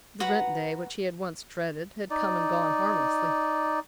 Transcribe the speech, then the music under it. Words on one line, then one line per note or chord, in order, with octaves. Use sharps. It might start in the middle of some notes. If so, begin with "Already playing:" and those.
The rent-day, which he had once dreaded, had come and gone harmlessly.
F#4 B4 F#5 A#5
D#4 D5